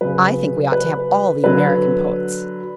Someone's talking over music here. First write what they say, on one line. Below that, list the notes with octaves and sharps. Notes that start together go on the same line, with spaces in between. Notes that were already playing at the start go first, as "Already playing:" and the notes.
I think we ought to have all the American poets.'
C#3 F#3 B4
B4
D3 F#3 B4